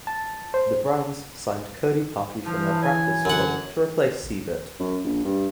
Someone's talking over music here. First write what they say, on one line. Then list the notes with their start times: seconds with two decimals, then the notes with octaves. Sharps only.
The Browns signed Cody Parkey from their practice squad to replace Seibert.
0.07 A5
0.54 C5
2.46 E3 F3 A5
2.83 C#5 G#5
3.25 F#2 D3 F#5
4.79 F#2
5.04 A#1
5.24 G2